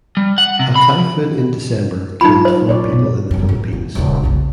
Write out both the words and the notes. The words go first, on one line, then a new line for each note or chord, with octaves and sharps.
A typhoon in December killed four people in the Philippines.
G3
F#5
C3
B5
F#3 D#4 F4 B5
C5
C#5 D5
B2
G1 F#2
A1 A2
A2
D#1 C#3
B1 F2